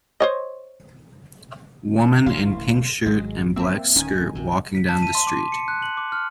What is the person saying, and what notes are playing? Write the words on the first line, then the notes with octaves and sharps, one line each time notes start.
Woman in pink shirt and black skirt walking down the street.
C5 C#5 D#5
D1 A1 E3 F5 C6
G#1 F#3 G#3
A#3 C4 E5
D1 D#3 C#4 G#5
A#1 C3
B6
A5
D#7
C6
D6
C#7
F#6
F#7
D6
F6